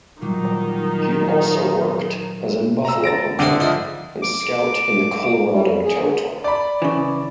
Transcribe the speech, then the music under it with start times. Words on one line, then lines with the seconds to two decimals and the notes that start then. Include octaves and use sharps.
He also worked as a buffalo hunter and scout in the Colorado Territory.
0.21 A#2 D#3 F#3 G3 D#4
2.85 A#5 E6
3.04 A6 A#6 D7
3.39 D3 C4 E4 G#4
3.60 G#2 F3 E4 G#4 D#5
4.22 D6
5.51 G3
5.67 F2
5.84 G#4
5.99 D3
6.44 D5 B5
6.82 C#3 E3